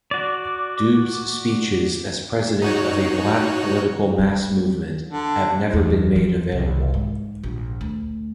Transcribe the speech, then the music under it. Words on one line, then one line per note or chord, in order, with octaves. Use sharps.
Dube's speeches as president of a black political mass-movement have never been made available.
F#4 D5
D#4 F#4 C#5
G3
D3
E2
F3
C2
G#2
A#1
D2